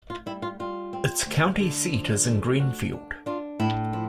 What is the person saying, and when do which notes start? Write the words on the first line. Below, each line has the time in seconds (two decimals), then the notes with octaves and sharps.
Its county seat is Greenfield.
0.10 F4
0.26 G3 E4
0.42 F4
0.59 G3 F4
0.93 C4
1.26 D2
1.60 D3
1.93 F3
2.26 A3
2.60 D4 F#4
2.93 D4
3.26 D4 F4
3.59 A2 E4
3.93 F3 E4